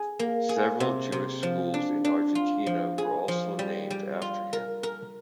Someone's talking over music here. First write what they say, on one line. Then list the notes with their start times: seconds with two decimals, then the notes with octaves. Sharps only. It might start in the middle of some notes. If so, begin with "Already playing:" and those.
Several Jewish schools in Argentina were also named after him.
Already playing: G#4
0.19 A#3
0.49 G#4
0.80 C3
1.12 C3
1.43 F3
1.74 D4
2.05 D4
2.35 F4
2.66 F3
2.98 G#4
3.28 F3
3.59 G3
3.90 G3
4.22 F4
4.53 A#4
4.83 A#4